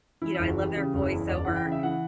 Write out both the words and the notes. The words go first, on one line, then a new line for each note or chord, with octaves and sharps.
you know, "I love their voiceover,"
E3 E4
F#1 E4
F#4
E3 G4
C#3 G4
F#1
E4
E2
F#1 D5
E3 F#5
G5
C#3
E5
E3 F#5